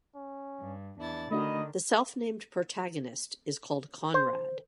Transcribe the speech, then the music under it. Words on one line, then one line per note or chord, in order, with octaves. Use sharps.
The self-named protagonist is called Konrad.
C#4
G2
E2 D4 E4 A6
D3 D#3 A3 D4 F#4 D#5 B5
C5